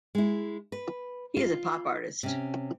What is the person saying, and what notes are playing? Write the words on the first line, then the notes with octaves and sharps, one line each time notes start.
He is a pop artist.
G#3 E4
B4
F4
C3 C#4